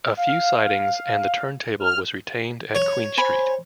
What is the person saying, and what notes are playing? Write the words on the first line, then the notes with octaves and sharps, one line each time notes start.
A few sidings and the turntable was retained at Queen Street.
F5
F6
C#5
C5 G#5 B5